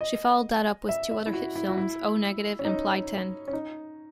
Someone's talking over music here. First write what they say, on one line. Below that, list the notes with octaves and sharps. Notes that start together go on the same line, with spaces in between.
She followed that up with two other hit films, O-Negative and Plai Tien.
D#5
E5
E5
E4
F#4
E4
F#4
E4
C#4
D#4
C#4
D#4